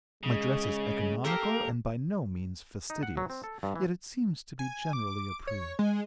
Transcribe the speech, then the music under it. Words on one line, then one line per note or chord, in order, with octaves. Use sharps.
My dress is economical and by no means fastidious; yet it seems to be generally approved.
C#3 G#3
A#3 G4 A4 A#4
D#4
F#5
F#3
C4
A4
G2
E3
G#5
D6
C#5
G#3